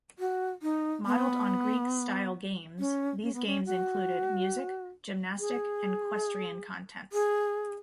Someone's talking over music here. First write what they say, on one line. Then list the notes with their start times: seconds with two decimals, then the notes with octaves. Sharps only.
Modeled on Greek style games, these games included "music" "gymnastic" and "questrian" contents.
0.19 F#4
0.62 D#4
1.06 B3
2.79 C#4
3.22 C#4
3.34 B3
3.46 C#4
3.66 F#4
5.39 G#4
7.13 G#4